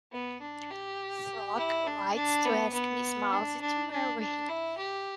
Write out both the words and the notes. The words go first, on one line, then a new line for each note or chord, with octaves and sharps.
Frog rides to ask Miss Mouse to marry him.
B3
D4
G4
E4
D4
D4
B3
B3
D4
D4
D4
D4
E4
G4